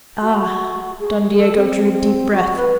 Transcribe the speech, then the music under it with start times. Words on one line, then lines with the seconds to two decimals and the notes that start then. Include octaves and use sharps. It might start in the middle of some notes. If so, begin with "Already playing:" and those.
"Ah!" Don Diego drew a deep breath.
0.21 F#4
0.99 G#4
1.36 A4
1.55 C4
2.31 F#4
2.56 B4